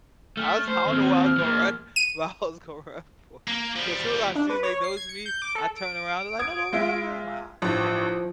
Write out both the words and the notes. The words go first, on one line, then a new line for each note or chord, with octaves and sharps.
I was I don't know where I was gonna run, but I was gonna run for it, 'cause as soon as I seen they noticed me, I turn around, they're like, "No no don't run don't run." I'm like, "Aw, dang it."
A3 F6
C5
D#2 C4
F6
F3 A#3
D#7
A#3
F3 G3
D4
B4
C#5
C7
G#6
C#7
G6
D6
A4
D7
D#6 G#6
G#3 F4 E5
A1 G2 F3